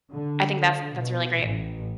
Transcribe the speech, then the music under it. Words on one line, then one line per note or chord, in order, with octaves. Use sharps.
I think that's that's really great.
D3
B2
A1